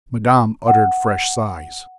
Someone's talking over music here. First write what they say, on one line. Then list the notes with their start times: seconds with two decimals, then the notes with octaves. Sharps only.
Madame uttered fresh sighs.
0.68 F#5